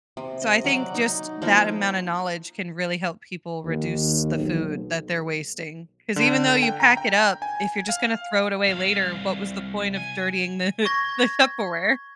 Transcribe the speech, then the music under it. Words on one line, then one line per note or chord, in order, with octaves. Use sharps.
So I think just that amount of knowledge can really help people reduce the food that they're wasting. 'Cause even though you pack it up, if you're just gonna throw it away later, what was the point of dirtying the the Tupperware?
C3
D#5
F#3 D5 F#5
D#4
F3 A#3 D#4 E4
D#2
B1
D3
G5
A#5
G5
G#5
F5
C2 F5
G#5
C#6 G#6 A#6